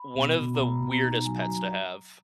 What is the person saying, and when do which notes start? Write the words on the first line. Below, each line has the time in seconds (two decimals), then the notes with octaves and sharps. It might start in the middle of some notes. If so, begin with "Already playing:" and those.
one of the weirdest pets to have?
Already playing: B5
0.15 B2
0.36 B2
0.54 A#5
0.59 B2 B5
0.81 B2
0.92 A#5
1.03 D#4
1.25 F#3 G#5
1.42 A#5
1.47 F#3